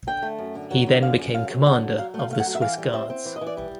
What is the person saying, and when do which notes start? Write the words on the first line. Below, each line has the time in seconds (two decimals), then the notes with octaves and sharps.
He then became commander of the Swiss Guards.
0.07 D3 G5
0.22 A3
0.38 F#2
0.55 D3
0.70 F#3 F#5
0.87 D3
1.02 F#2 F5
1.18 F#2
1.34 F#2 F5
1.50 F#3
1.66 D3 F#5
1.82 F#3
1.98 F#3 F5
2.14 A3
2.19 F5
2.30 A3 F5
2.40 F#5
2.46 F#3
2.55 E5
2.61 E3 F5
2.78 G3
2.93 C4 E5
3.10 C4
3.25 E3
3.36 D#5
3.41 E3
3.47 D5
3.57 G3